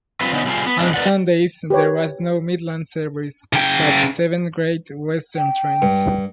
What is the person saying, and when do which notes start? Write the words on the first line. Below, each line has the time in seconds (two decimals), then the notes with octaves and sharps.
On Sundays, there was no Midland service, but seven Great Western trains.
0.20 G3 C4 F4 B4
0.33 D3 B3 C#4 D#4
0.45 C3 G3 C4 F4 G#4
0.66 B3
0.80 F2 E3 G#3 D4
0.94 A#4 B4 D5 F#5
1.70 G4 B4 C#5
3.53 C#3 G5
5.37 G5
5.82 G2